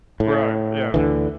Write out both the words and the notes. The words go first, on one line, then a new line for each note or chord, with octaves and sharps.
Right, yeah.
A2
D2 D3 E3